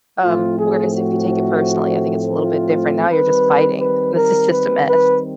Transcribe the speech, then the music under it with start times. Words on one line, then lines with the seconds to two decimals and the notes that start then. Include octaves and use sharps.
Um, whereas, if you take it personally, I think it's a little bit different, now you're just fighting, this is just a mess.
0.23 A2 F3 A3 C4 F4
0.59 G#4
0.94 F#4
2.37 F4
3.09 D#3 G3 C4 B4
3.80 B4
4.16 A#4
4.51 B4
4.87 B4